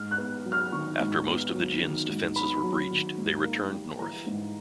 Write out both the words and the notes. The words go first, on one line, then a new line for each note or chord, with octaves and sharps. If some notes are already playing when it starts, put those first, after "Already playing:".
After most of the Jin's defences were breached, they returned north.
Already playing: G#2 F6
F#6
B3
F#3
F6
D#3 C#6
G#2
B3
F#3
D#3
G#2
B3 B5
F#3
D#3
G#2
A#3
G3
E3 A#5
G#2